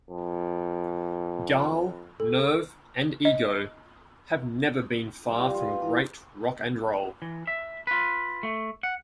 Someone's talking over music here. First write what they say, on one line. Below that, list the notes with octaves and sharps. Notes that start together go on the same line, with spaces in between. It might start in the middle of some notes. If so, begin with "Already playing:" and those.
Gall, nerve and ego have never been far from great rock and roll.
F2
A4
D#5
G3 F4
F4 B4
E3 A#5
E3
E5
F4 B4
A3
F#5